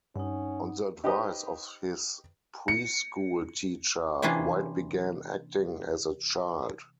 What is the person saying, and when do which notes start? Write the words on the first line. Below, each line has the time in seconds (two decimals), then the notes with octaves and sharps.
On the advice of his preschool teacher, White began acting as a child.
0.16 G2 C#4 D#4 F#5
1.04 D#4 G4 B4 C5 D#5
2.68 C#7
4.22 C3 E3 A#3 C#4 D4 F4